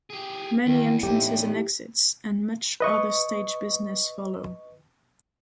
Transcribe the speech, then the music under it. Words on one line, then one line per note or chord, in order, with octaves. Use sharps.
Many entrances and exits and much other stage business follow.
G4 G#4
E2 D#3
A2 D#4 G4
B4 D#5 C#6